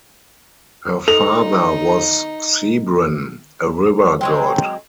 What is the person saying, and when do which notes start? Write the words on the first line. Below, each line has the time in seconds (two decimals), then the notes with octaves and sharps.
Her father was Cebren, a river-god.
1.08 D#4 A4 F7
4.21 F#3 G#3 C4